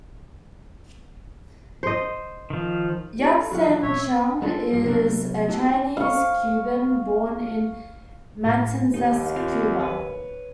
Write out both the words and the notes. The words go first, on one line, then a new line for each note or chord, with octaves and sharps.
Yat-Sen Chang is a Chinese Cuban born in Matanzas, Cuba.
C5 D#5
D#3 F3
E4 G4
A4
A#2 F#3 F5 F#5
E3
A#2 C#5 E5
G#3 D4 F4 A4
G2 F3
C3 F#3 B3 D4 F#4 A#4
A3 D#4 F#4 G4
F5 C#6
A2
D#2 D#4 D#5
C4 F4 A#4
B4 C#5